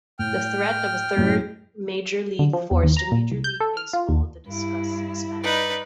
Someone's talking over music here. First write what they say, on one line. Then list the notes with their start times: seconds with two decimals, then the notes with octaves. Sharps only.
The threat of a third major league forced Major League Baseball to discuss expansion.
0.19 A2 G5 F6
1.17 F#2 A2
2.39 D3
2.53 F3
2.71 E2
2.84 D#2
2.97 A#5
3.12 A#2
3.32 C2
3.44 G6
3.60 A4
3.77 F6
3.93 F4
4.09 D#2
4.46 G2 E4
5.43 D#4 B4 D5